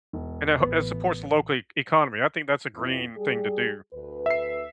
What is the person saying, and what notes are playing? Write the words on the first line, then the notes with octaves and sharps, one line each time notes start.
and it he it supports local e economy. I think that's a green thing to do,
E1
A1 B3
F2 E3
G3 G4 G#4
D2 B4
E5 C7